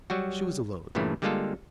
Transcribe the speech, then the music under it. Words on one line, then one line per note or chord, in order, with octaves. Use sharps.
She was alone.
F#3 G3 F#4
G2 A#2 C#3 E3 A3
D3 G3 G#3 A#3 F4 A4